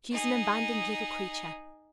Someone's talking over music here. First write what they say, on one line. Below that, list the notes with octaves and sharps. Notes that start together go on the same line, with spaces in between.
'She is an abandoned little creature.'
D#4 G#4